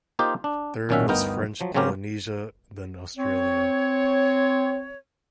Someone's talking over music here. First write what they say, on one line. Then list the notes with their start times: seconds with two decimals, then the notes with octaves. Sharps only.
Third was French Polynesia then Australia.
0.19 A#3 D#4 F4 G4 C5
0.44 D4
0.89 B1 A#2 D#3 C#4 F#4 E5
1.08 G1 D2 B3 D#4 A#4 G5
1.61 F3 F#3
1.75 C#3 F#3 C4 C#4 G4 A#4
3.17 C4 C#5